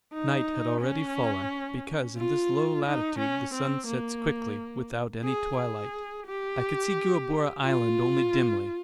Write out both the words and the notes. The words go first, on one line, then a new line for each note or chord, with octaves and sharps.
Night had already fallen, because in this low latitude the sun sets quickly, without any twilight. I could see Gueboroa Island only dimly.
D#4
C#4
F4
D#4
C#4
C4
A#3
G#4
G#4
G4
F4